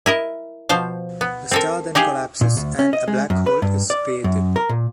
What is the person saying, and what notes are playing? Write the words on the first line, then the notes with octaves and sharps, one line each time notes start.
The star then collapses and a black hole is created.
E4 A#4 D#5
B2 F3 C5 F5
B3
C4 A4 A#4
D#4 G4 G#4 F5
A#2
D2
C#4
D#5
G#3
F#2
B4
G2
D5
F#2
A#4
A#2